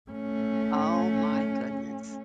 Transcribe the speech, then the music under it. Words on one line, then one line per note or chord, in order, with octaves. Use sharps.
Oh my goodness.
A3 C#4